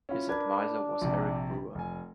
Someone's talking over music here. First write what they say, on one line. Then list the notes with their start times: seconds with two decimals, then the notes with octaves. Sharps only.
His advisor was Eric Brewer.
0.09 C#4 E4 F4
0.29 D4 A#4 B4 G#6
1.01 A#1 C3
1.75 F1 G#5